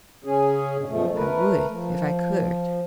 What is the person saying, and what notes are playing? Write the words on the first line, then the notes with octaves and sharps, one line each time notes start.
"I would if I could!"
C#3 C#4 G#4
G2 B2
F#2 B2 F3 A3
A3 A#4 B4
F3